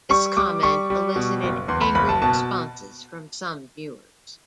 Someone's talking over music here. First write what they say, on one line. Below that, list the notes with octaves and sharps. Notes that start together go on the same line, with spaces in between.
This comment elicited angry responses from some viewers.
G3 C#6
G3 D6
G3 C#6
G3
B2
F#1
E2 C6
B5
F#1 B5
A5
B2 A5